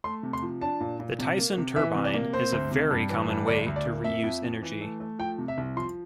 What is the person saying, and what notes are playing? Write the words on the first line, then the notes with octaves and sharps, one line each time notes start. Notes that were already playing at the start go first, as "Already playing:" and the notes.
The Tyson Turbine is a very common way to reuse energy.
A3 C6
C3
C6
F3
D4 A5
A#2
A#2
C3
A#3
C3
E3 E5
C3
D5
A#3
C4 C5
D2
C3
G2
E3
G2
D2 D5
D2
D5
A#3
F2 E5
F2
F2
E3
A3
A3
F3 G5
C3
E5
C2
F3 C6